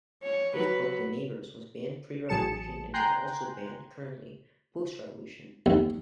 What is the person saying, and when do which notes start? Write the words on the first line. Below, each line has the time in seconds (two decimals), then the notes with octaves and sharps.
His book "the neighbours" was banned pre-revolution and is also banned currently post-revolution.
0.23 C#5
0.54 F#3 B4
2.29 A1 F#3 G#4 A5 C#7 E7
2.94 G5 G#5 A#5 C6 F#6 G6
5.66 D#2